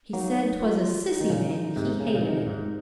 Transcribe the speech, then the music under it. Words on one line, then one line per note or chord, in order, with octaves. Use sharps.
He said 'twas a sissy name, and he hated it.
F#3 A#3 D#4
F4
D#4
D#3
A#2 C#3
G#2 C3
C#3
C3
A#2 C#3
C3 D#3
A#2
G#2